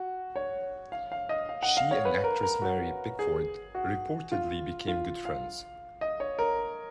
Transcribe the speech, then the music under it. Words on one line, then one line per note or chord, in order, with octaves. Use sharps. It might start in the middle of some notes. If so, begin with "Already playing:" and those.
She and actress Mary Pickford reportedly became good friends.
Already playing: F#4
C#5
F5
F5
D#5
F5
F#5
F5
C#5
B4
A#4
A#4
F#4
G#4
F#4
F4
F4
F5
D#5
C#5
A#4